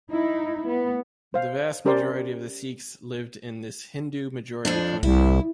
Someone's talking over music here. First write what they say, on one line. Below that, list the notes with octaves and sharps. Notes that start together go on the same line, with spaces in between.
The vast majority of the Sikhs lived in this Hindu-majority Punjab.
D#4 E4
B3
C5 F5
C#4 G4 A#4 C5 D5 C6
F2 F3 D4
C2 E4